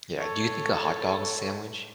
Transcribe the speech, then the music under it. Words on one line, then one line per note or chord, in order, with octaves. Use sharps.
Yeah, do you think a hot dog is a sandwich?
A4 C#5